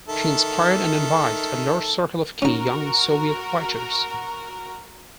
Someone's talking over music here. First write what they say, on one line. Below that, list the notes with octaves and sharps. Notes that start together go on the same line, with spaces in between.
She inspired and advised a large circle of key young Soviet writers.
D#3 A4 E5
C#4 D#4 F#4 A#4